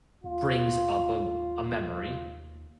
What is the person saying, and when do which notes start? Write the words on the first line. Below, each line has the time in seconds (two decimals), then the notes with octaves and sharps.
brings up a a memory,
0.24 D#2 F4